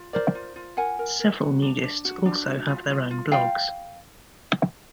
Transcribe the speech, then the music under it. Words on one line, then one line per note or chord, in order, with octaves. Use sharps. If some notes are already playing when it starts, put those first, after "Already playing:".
Several nudists also have their own blogs.
Already playing: F4
A#4 C5 D5
F4
F4
A#4 F#5 G#5
A#4
A#4
F#4
D4
D4
F#4
D4
F#4
F4
F4
F4
F4 F5 G5